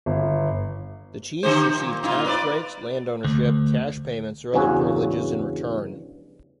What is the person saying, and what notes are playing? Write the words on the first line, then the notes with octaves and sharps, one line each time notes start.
The chiefs received tax breaks, land ownership, cash payments, or other privileges in return.
G1
D3 G4 C5
A#2
A#2 D#4 F4
B4 D5
D2
E2 G2 C#3 F#4 G#5